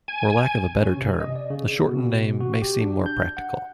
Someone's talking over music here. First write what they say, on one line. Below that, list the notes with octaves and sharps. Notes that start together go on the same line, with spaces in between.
For lack of a better term, the shortened name may seem more practical.
G#5
C#4
C3
D#5
D5
C#3
B2
F#4
G4
D4
G6
F#5